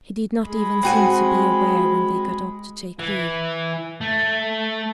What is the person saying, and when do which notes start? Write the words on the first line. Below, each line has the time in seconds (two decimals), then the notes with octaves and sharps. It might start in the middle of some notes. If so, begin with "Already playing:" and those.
He did not even seem to be aware when they got up to take leave.
0.46 G#3 B5
0.83 C4 F#4 G#5
2.99 E3
4.01 A3